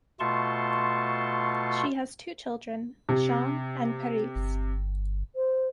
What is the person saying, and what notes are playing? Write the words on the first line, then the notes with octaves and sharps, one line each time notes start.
She has two children, Shawn and Paryse.
B2 A3 F4 A5 C6 C#6
C3
G1
C5